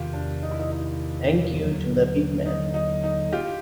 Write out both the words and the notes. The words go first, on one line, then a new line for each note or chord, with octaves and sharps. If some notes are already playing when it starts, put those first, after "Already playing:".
Thank you to the big man.
Already playing: E2 C3 D#3 F4 G4
D4
D#4
E4
D#4
D#4
D#2 D3 F#3
D#4
D#4
D#4
F4 G4